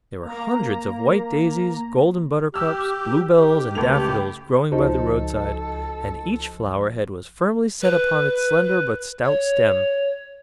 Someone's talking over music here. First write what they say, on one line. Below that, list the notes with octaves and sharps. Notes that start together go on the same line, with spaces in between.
There were hundreds of white daisies, golden buttercups, bluebells and daffodils growing by the roadside, and each flower-head was firmly set upon its slender but stout stem.
A#3 A#5
G4 E6 F6
D#3 G4
C#2 A3 F7
G4
C#2 F3 D#4 F#4 A4 C5 D#5
B4
C#5